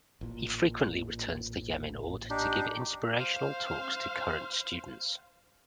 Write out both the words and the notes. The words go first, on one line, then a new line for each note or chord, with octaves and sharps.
He frequently returns to Yemin Orde to give inspirational talks to current students.
A1 A#2
D4 D#4 G4
C5 F5